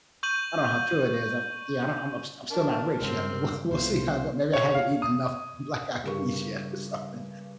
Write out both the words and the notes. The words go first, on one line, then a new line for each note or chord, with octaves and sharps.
I don't know how true it is. I'm yeah, I'm I'm st I'm still not rich yet, but we'll we'll see how it go maybe I haven't eaten enough black-eyed peas yet or something,
C#6 G6 D#7 F#7
D4 A#4
G2 C#3 G#3 C4
C2 B2 A3 F4 C5
C#5
F5
D#6
G2 C#3 G4 A#4 C#6